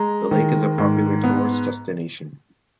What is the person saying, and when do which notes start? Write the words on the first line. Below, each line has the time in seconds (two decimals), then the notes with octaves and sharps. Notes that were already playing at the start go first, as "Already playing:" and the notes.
The lake is a popular tourist destination.
Already playing: G#3 A#5
0.31 D#3
0.78 G#2
1.24 B3